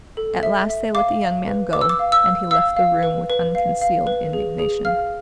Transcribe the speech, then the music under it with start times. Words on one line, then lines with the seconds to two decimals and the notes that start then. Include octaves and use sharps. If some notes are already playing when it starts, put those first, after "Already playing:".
At last they let the young man go, and he left the room with unconcealed indignation.
0.17 A4
0.43 E5
0.69 E5
0.95 F5 D6
1.22 F5
1.47 B4
1.73 B4 D6
1.81 E6
1.89 D6
1.99 F5
2.12 E6
2.25 F5
2.51 F5 E6
2.77 F5
3.03 B4
3.30 B4
3.55 F5
3.81 F5
4.07 B4
4.33 G#4
4.59 G#4
4.85 F5 F6